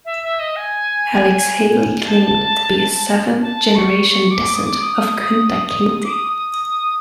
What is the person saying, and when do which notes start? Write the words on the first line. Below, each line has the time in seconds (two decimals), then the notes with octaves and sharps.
Alex Haley claimed to be a seventh-generation descendant of Kunta Kinte.
0.05 E5
0.23 E5
0.39 D#5
0.56 G#5
2.07 A5
3.42 A5
3.75 C#6
4.09 C#6
4.31 D6
4.54 D#6
4.66 D6
4.81 D#6
6.04 D6
6.10 D#6